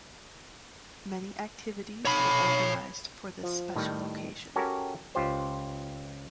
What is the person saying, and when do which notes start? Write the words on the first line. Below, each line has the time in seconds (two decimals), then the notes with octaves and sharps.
Many activities were organised for this special occasion.
2.05 C#5 B5
3.43 F3
3.76 A2 D#3 G3
4.56 C#4 F#4 G4 A4 A#4
5.15 C#2 F4 G4 C5